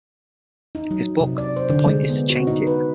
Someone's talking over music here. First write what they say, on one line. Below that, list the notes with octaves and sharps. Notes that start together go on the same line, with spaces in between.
His book The Point Is To Change It!
D#4
F#3
C3
D5
C5
D3
G#3
B3
F#4
D#4
B4